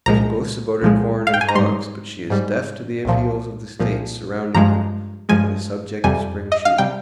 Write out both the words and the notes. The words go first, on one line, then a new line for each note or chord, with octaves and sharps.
She boasts about her corn and hogs, but she is deaf to the appeals of the states surrounding her on the subject of spring shooting.
C2 A#2 F3 G#3 A#5
C2 A#2 F3 G#3
F5
G5
G#5
A#5
G#2 G3 C6
G#2 G3
C2 A#2 F3
C2 A#2 F3
G2 F3 G#3 A#5
G2 F3 G#3 G#5
F2 C3 G3 G#5
D#5
F5
C3 G3 G5